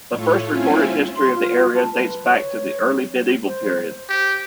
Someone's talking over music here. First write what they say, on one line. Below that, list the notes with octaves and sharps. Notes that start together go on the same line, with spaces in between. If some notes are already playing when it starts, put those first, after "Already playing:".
The first recorded history of the area dates back to the early medieval period.
A2 A3 F4 A4 C#5
C4 C#4 E4 F4 G#5
C6
F4
A5
B4
C#5
C5
G4